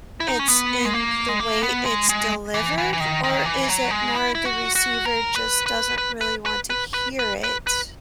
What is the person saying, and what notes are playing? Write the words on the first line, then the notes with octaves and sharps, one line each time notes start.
it's in the way it's delivered, or is it more the receiver just doesn't really want to hear it?
E4
D#4
C#4
B3
G#3
A#3
G#3
A#3
B3
G#3
G#3
E3
E3
E3
D#3
D#3
E3
F#3
G#3
E4
E4
F#4
F#4
A#4
B4
B4
B4
B4
B4
B4
B4
B4
B4
B4